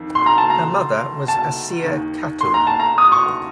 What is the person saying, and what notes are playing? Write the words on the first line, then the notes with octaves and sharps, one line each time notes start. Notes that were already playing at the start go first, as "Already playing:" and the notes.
Her mother was Asiya Khatun.
Already playing: F2 D#3
C6
A#5
A5
A#5
A5
D#2 D#3
C6
A#5
A5
A#5
D#6
C#6